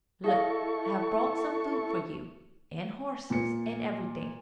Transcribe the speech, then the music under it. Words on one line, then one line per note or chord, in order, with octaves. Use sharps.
Look, I have brought some food for you, and horses, and everything.
E4 G#4 A4 D#5 F5 C#6
A#2 C#7